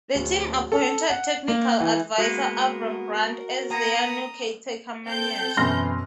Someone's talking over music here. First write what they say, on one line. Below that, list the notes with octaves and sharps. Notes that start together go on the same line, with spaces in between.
The team appointed technical advisor Avram Grant as their new caretaker manager.
D1
A4
F#5
A#3
E3
G#3 A#3 B3 F#4 A#4
A#3 B3 A#5 D#6
C4 A4 G6
F#2 B2 E3 C6 F6 A#6